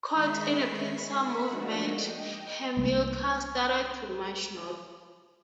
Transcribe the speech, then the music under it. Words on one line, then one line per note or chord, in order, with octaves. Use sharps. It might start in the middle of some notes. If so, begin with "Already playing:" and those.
Caught in a pincer movement, Hamilcar started to march north.
D#3 G#3 E5 B5 C#6 C7
E5 F#5 B5
F3 G#3 A#3 D4 D#4 F#4
D#5 G5
C2 A#3